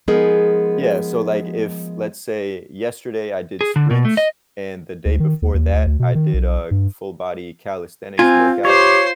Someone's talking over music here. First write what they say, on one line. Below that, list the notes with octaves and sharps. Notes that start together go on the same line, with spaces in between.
yeah, so like if let's say yesterday I did sprints and the day before that I did a full body calisthenics workout.
F3 G#3 B3 D#4 G#4 A#4
G#4
D3
B2
A3
D#5
D2
D#3
D#2
D#2
D2
D2
B2
D#3
B1
G2
C4 F4 G#5
G4 C5 C#5 C6